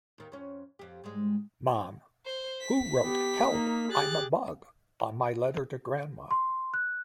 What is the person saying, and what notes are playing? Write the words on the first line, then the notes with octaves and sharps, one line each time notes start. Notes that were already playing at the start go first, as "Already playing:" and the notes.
Mom: Who wrote 'Help I'm a bug' on my letter to Grandma?
D#2 D#3
F2 C#4
F2 G4
G#2 G3 G#3
C5
B6
B3 G4
A#3 D#4
G4 G#4 F#6 A6
C6
F#6